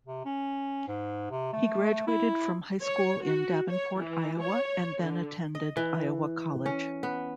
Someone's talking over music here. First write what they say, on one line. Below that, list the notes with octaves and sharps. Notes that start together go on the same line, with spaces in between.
He graduated from high school in Davenport, Iowa and then attended Iowa College.
C3
C#4
G#2
C3
A3
E4
C#5
F#4
C#5
E3
C#5
D3
D#5
E3
C#4
B3